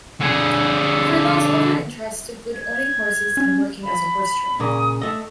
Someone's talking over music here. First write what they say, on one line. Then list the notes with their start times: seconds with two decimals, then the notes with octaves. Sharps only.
Furlong's other interests include owning horses and working as a horse trainer.
0.21 D3 G#4
2.54 G#6
3.37 C#4
3.83 B5
4.60 A#2 C#3 A#3 D#6
5.02 A3 D#5 E6